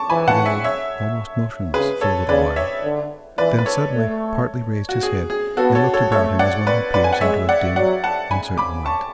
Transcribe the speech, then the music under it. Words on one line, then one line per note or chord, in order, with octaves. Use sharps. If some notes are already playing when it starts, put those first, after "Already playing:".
He lay almost motionless for a little while, then suddenly partly raised his head and looked about him as one who peers into a dim uncertain light.
Already playing: A5 C#6 D6
E3 G#5 B5
F#5 A5
E5 G#5
C#5 E5
C#3 G#4 B4
A4 C#5
C#3 B4 D5
C#5 E5
D3
E3 B4 D5
B4
A4 C#5
A3
F#4
G#4
G#4
B3 F#4 A4
A4 C#5
A4 C#5
A3 A4 C#5
D5 F#5
B4 D5
B4 D5
G#5
F#5
G#3 C#5 E5
D5 F#5
F#3 D5 F#5
F#5 A5
G#5 B5
B5 D6
A5 C#6